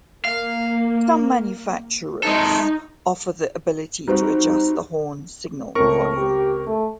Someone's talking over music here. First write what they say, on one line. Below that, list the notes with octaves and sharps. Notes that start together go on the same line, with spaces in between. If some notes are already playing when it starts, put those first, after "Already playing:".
Some manufacturers offer the ability to adjust the horn signal volume.
A#3 F5
G#3 D#4 A4
G3 C4 D#4 F#4
C#2 A2 C4 A#4 C#6
G4
A3